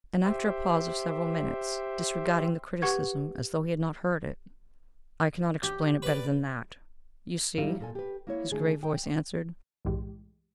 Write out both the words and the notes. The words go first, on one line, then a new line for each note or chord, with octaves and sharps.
And after a pause of several minutes, disregarding the criticism as though he had not heard it--"I cannot explain it better than that, you see," his grave voice answered.
G4 C5 E5
G4 B4 F#5 C#6 G#6
G4
B4 D5
D#2 F#3 G3 D#4 E4 F5
A#2 A4 G#5
G4 B4
A#3 E4 C#5
D3 A3 G#4
G5
B1 F#2 A2 E3 G#3 G4